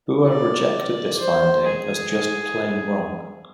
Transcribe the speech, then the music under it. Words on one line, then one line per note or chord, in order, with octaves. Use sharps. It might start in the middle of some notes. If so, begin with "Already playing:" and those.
Bua rejected this finding as just plain wrong.
D5
C5
G#4